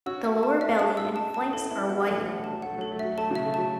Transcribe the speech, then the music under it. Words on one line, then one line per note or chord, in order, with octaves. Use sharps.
The lower belly and flanks are white.
C#4 F#4 E6
E5
A5
E5
C#4 F#4 A5
E6
A5
A5
C#4
B3 E4 A4
B3 E4 A4
F#3 B3 F#5
E3 A3 A4
F#3 F#5
A3 A5
F#3
A3 F#5
F#3 A4
A3
E5
F#3
A3 A5
C#3 F#3 E5
A3
F#3 A5